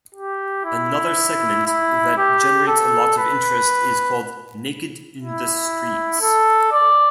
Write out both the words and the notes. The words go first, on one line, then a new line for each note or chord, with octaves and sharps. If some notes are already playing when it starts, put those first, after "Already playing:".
Another segment that generates a lot of interest is called Naked In The Streets.
G4
E4
E4
G4
A4
B4
E4
A4
D5